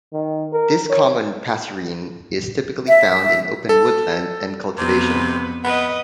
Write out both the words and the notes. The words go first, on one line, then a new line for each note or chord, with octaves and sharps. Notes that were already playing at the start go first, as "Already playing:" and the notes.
This common passerine is typically found in open woodland and cultivation.
D#3
A#4
C#5
E5
A4
F2 C3 B3 B4
B3 B4 D#5